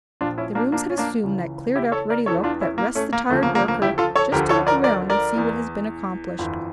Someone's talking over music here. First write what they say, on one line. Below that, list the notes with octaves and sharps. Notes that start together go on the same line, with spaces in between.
The rooms had assumed that cleared-up, ready look that rests the tired worker just to look around and see what has been accomplished.
A#1 A#2 F3 D4 F4
C#4 E4
A#3 D4
A#3 D4
C#4
A#3 D4
C#2 C#3 E3
E4 G4
A4 C#5
A#4 D5
E2 E3 A4 C#5
D4 F4
C#4 E4
A#3
A3 C#4
A#3
D2 C#3 F3 A3
A#3
A#3
A#3
E4 G4
F4 A4
A4 C#5
D2 D3 F3 G4 A#4
A4 C#5
A#4 D5
A#4 D5
A#4 D5
E2 E3
G1 F2 E3